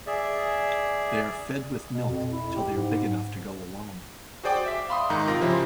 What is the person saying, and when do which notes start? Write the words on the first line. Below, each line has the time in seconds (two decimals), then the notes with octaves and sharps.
They are fed with milk till they are big enough to go alone.
0.07 G#4 D5 E5
1.93 B2
2.10 F2
2.32 E4
2.55 G4
2.74 G#2
4.43 F#4 G#4 C5 D5 G5 D6
4.66 E5 B6
4.89 F5 B5 C6 D#6
5.10 G#2 D#3 D#4 A#5
5.27 C3 F4 A#4 A#6
5.41 C#3 F3 E4 G4 C5